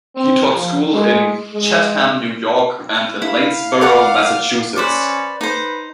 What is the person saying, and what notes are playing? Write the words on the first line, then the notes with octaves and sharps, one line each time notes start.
He taught school in Chatham, New York, and in Lanesborough, Massachusetts.
C4
F3
G#3
G#3
E4 F5
A#4 D5 F#5
C#4 B4 C5 D5
D#4 B4 C5